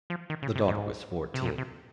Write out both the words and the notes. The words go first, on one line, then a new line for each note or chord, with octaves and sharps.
The daughter was fourteen.
F3
D#3
C#3
C3
G#2
C3
A#2
C3